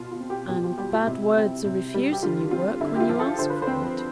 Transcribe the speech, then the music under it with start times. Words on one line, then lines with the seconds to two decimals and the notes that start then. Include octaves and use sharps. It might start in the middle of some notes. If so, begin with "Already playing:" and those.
'And bad words are refusing you work when you ask for it.'
Already playing: B2 F4
0.11 F4
0.20 C4
0.30 G4
0.49 B2 G4
0.64 F4
0.78 G3 G4
0.93 F4
1.07 C3 E4
1.37 C4
1.65 C3
1.94 G3
2.12 G4
2.23 D3 F4
2.51 C4 F4
2.81 D3 E4
2.96 G4
3.00 F4
3.10 F3
3.20 A4
3.39 D3 C5
3.50 B4
3.62 C4 C5